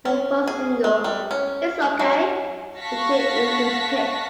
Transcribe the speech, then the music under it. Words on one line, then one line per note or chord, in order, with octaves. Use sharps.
Her first single, "It's ok", became an instant hit.
C#4
G#4
G#3
G3
C#4
G#3
F#3
F5 F#5 A5 C#6 A#6 B6